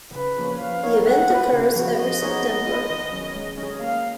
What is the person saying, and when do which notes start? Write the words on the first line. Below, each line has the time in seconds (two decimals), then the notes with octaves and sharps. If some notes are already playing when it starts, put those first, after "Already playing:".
The event occurs every September.
0.15 C#3 B4
0.38 F3 A#3 C#4
0.61 F3 F5
0.83 B3 D#4 A#4 C#5
1.06 G#3 F#5
1.30 B3 F4 B4
1.53 C#3
1.76 F3 B3 F#4
1.97 F3 D#5
2.21 B3 D#4 G#4 C#5
2.43 B3
2.66 F4 B4
2.90 D#3
3.12 F#3 C#4
3.35 G#3
3.58 C#4
3.63 G#4
3.81 A#3 F5